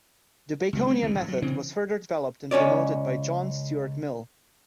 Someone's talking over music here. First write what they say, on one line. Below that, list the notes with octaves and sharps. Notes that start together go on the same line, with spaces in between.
The Baconian method was further developed and promoted by John Stuart Mill.
C#2 G3
G#3 C4
D2 C3 E3
G#1 G#2
F#3
C#3 E3 C4
C#2 C#4 C#5 D5